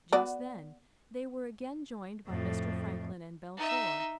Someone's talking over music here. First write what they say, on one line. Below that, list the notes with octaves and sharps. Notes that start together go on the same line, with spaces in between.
Just then they were again joined by Mr. Franklin and Belcour.
B3 F#4 D5
F2 A2
D#4 E5